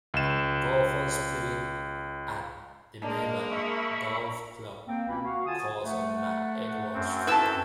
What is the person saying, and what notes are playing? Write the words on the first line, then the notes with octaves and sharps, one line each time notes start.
Golfers play at the Merbein Golf Club course on McEdward Street.
C#2 E7
G#3 A#3 D4 A#4 D#5 A#5
E5 B5 C#6
A#3 C4 G5
C#2 B2 A#3 C#4 B4 B5
F#4 F5
D3 F4 G#5 A5 D#6
A3 F#5
F#2 C4
E4 A4 B4 A5 E6